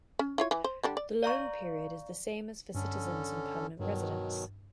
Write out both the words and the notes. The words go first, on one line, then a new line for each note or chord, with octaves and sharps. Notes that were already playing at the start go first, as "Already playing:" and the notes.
The loan period is the same as for citizens and Permanent residents.
C#4
E4 F4 C#5
E3
C5
D3 G3 D4
D5
D5 F5 A#5 C#6
G2 D3 C#4 A4
G2 B2 D#3 F#3